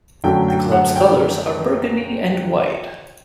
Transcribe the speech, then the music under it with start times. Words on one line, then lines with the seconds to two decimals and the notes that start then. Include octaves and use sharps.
The club's colors are Burgundy and White.
0.24 F#2 D3 F#3 A3 G5
0.48 G5
0.72 F#5
0.96 G5